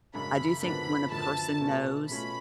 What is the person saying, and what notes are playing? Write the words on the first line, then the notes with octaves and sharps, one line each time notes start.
I do think when a person knows
F#2 C#3 G#3 D4 B5
F#2 D3 F3 B3 D4 B5
F#2 D3 F3 B3 D4 A5
B2 A3 C#4 F4
B2 A3 C#4 F4 B5